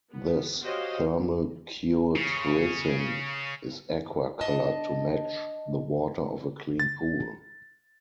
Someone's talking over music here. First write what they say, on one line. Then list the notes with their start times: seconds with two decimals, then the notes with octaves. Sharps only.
This thermal-cured resin is aqua-colored to match the water of a clean pool.
0.11 B3
0.61 F#4 G4 C5 C#5 D#5 F5
2.16 C#3
4.41 D4 D#5 A5
6.79 A6